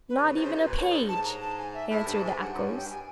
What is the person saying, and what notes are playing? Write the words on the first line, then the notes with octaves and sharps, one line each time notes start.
'Not even a page!' answered the echoes.
B4
C#3
C3
C#3 C5
C3 A#4
A#2 B4
A2 C#5
G#2
G2
G#2 A5
A#5
A5
G#5
E5
A2 E5
G2 A5
G#2
G#5
G2 F#5
F#2 F#5
G2 C#5
G5
G2
G#5